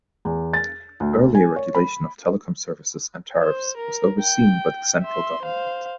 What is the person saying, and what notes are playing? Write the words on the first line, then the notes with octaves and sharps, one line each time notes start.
Earlier regulation of telecom services and tariffs was overseen by the Central Government.
E2
A6
D2
G#5
C#5
B5
C5
A#4
G5
E5 C6
C5 F5